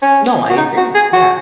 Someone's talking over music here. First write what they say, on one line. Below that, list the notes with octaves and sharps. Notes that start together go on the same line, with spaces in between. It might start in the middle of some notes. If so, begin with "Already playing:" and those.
No, I agree, yeah.
C#4
F#4
D#4
F#4
G#4
F#4